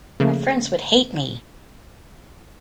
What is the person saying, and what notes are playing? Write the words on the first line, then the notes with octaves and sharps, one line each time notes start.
My friends would hate me.
C#3 F3 A3 A#3